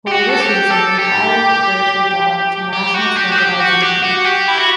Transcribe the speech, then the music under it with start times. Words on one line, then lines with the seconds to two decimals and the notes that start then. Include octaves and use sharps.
For this reason we highly prefer to adopt to national standardization.
0.08 G4
0.12 F#4
0.30 A4
0.41 G4
0.70 A4
0.99 G4
2.73 G4
2.94 F#4
3.16 G4
3.32 F#4
3.38 G4
3.60 F#4
3.82 G4
4.03 F#4
4.25 G4
4.48 E4
4.58 F#4